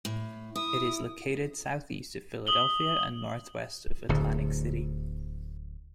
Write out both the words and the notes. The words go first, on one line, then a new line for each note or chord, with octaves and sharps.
It is located southeast of Philadelphia and northwest of Atlantic City.
A2
E4 D#6
D#6 F#7 G7
D1 D2